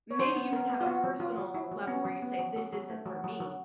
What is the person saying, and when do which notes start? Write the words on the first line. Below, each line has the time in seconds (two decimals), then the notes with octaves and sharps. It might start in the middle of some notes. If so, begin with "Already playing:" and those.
maybe you can have a personal level where you say, "This isn't for me,"
0.11 C#5
0.19 F#3 C5
0.36 B3
0.53 B3 A#4
0.70 B3
0.81 F4
0.86 B3 F#4
1.04 F#3
1.20 F#3 F4
1.38 F#3
1.54 F#3 E4
1.72 F#3
1.87 B3 C#4
2.05 F#3
2.22 B3
2.39 F#3
2.56 F#3
2.73 F#3
2.90 A3
3.06 F#3
3.24 F#3
3.40 F#3